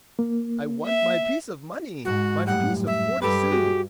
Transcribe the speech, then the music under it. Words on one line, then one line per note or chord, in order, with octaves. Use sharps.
"I want my piece of money! my piece of forty sous!"
A#3
E5
G#2 F#4
F#2 A2 G3 F#5
E5
G2 G4 A4 B4
F#4 G#4